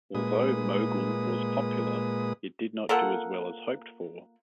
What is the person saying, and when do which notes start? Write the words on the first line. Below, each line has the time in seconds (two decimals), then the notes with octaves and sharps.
Although "Mogul" was popular, it did not do as well as hoped for.
0.15 A#2 G#3 B4 D#6
2.89 A#3 F4 A4 F#5